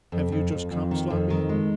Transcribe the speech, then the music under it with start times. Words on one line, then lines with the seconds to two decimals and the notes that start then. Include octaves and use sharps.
'Have you just come, Sloppy?'
0.12 F2
0.32 F2
0.52 F2
0.71 F2
0.91 D#3
1.10 F2
1.30 D#3
1.49 G#3